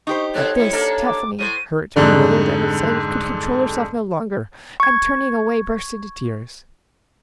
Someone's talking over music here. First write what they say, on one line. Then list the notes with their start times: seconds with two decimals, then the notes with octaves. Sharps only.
At this Tephany, hurt, bewildered and excited, could control herself no longer, and turning away burst into tears.
0.07 D#4 G4 C5 C#6
0.35 A#2 C4 A4 C#5 F#6
0.56 D3 E4 C#7
0.72 A#3 D4 A4
1.06 D6
1.39 A2 C5 D#7
1.96 F2 G#2 D3 G3
4.80 C#6 G#6